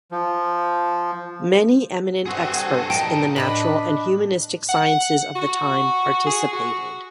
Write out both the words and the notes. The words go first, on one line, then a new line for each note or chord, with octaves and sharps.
Many eminent experts in the natural and humanistic sciences of the time participated.
F3
G2 C4 F#4 G#4 A4
A#2 D#4 G5 A5
A2 D4 B4 D#5 B5
F#5
F#4
G#4
F#4